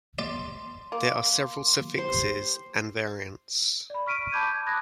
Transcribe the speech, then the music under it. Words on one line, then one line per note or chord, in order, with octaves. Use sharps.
There are several suffixes and variants.
D5 C6
A#3
G4 C5
D5 B5
C#6 F6 B6 D7 D#7
A5 B5 D6 G6 G#6
G#6
B5 D6 D#6 F#6 G#6 A#6